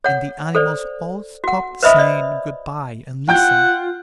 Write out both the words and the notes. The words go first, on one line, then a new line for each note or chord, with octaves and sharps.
And the animals all stopped saying Good-by and listened.
C#5 F#5
A4 C5 D5
F#4 F#5
B4 C5 D#5 E5 B5 D#6
D5 D#5
F4 F#5 G5 G6